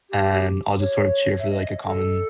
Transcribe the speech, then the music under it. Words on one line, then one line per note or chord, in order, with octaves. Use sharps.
and I'll just sort of cheer for like a common
G4
C#5
E5
D#5
A4